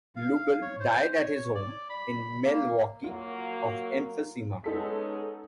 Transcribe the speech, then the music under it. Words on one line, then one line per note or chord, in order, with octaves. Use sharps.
Lubell died at his home in Milwaukee of emphysema.
F5
F5
C#5
C5
C#5
D5
B5
A#3
F#3 A#3 F4
G#3 B3 C#4 D#4 A4 B6